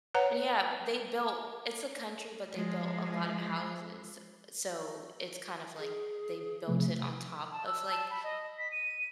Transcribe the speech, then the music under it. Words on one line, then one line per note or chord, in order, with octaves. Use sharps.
Yeah. They built it's a country, but they built a lot of houses. So it's kind of, like, they built it on top of, like,
B4 C#5 F#5 A#5
F3 G#3
G#4
C3 F3 A3
A5
E6
A5
B5
D#5
B6
D#7